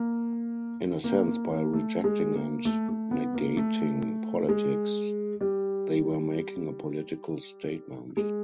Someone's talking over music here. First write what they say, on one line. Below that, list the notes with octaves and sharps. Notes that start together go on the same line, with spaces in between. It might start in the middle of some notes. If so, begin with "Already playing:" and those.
In a sense by rejecting and negating politics, they were making a political statement.
Already playing: A#3
A#3
A#3
A#3
A3
G#3
A#3
A3
A3
B3
A#3
A3
G#3
G3
G#3